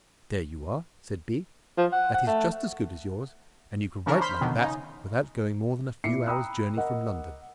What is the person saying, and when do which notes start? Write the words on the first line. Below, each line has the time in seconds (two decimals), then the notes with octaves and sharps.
"There you are," said B., "that is just as good as yours; and you can write like that without going more than a few hours' journey from London."
1.77 F3
1.92 F#5
2.14 F#5
2.27 A3
4.06 C#3 E3 C#4 D4 A#4 C#5
4.20 C5 B5 C6 F6 G6 B6
4.41 F2 B2 D3 D#3
4.59 C#3 C#4 D#4
6.04 A#2 E4 D6 C7 C#7
6.26 G5 A#5 B5 D#6 E6 F#6
6.77 A#4 D#5 F#5